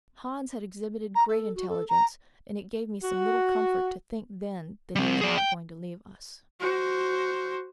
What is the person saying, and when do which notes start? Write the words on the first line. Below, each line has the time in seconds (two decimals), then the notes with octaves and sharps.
Hans had exhibited great intelligence, and it gave me some little comfort to think then that he was not going to leave us.
1.15 A#5
1.29 A4
1.55 F#4
1.69 A4
1.89 A#5
3.03 F#4
4.96 G3 C4
5.21 G#4 D5
5.37 G5
6.60 F#4 C5